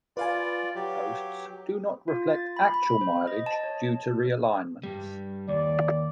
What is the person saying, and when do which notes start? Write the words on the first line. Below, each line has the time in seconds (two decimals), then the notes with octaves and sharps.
Mileposts do not reflect actual mileage due to realignments.
0.17 F4 B4 D5 F5 G#5
0.75 F#3 G4
2.08 F4
2.30 A6
2.56 B5
2.74 B5
3.01 C5
3.27 D#5
3.46 A5
3.63 C#5
4.83 G2 G3
5.48 D#2 D5